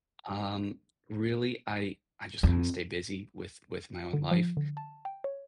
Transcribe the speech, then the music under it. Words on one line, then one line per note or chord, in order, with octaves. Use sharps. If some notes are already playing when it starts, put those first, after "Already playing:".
um, really, I I just kinda stay busy with with my own life.
F2
D3
F3
D3
A5
G5
C#5